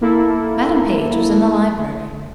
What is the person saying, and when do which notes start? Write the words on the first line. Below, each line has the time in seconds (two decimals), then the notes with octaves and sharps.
Madam Page was in the library.
0.01 A#3 E4 A4